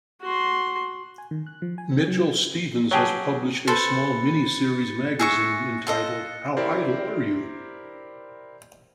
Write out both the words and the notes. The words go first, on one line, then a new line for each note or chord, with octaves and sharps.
Mitchell Stevens has published a small mini-series magazine entitled How idle are you?
F#4 C6
G#5
D#3
F#6
F3
G#5
C4
F#3
F#3 G4 G#4 C#5 G5 A5
A4 B4 C5 A6 C#7
G#4 E5 C#6 F#6 A#6 C#7
F4 A4 D#5
E4 G4 A#4 C5 D5